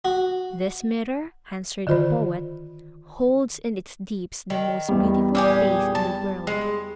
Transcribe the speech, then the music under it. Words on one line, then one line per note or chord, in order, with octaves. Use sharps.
"This mirror," answered the poet, "holds in its deeps the most beautiful face in the world."
F#4
D3 D#3 F4 C5 B5
D#3
E2 G3
A#2 G4 G#4
A5
G#3